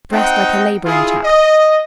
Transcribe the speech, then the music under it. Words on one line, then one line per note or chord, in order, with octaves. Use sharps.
Dressed like a labouring chap.
C4 D#4 F#5 G5
E4 F4 G#4
D#5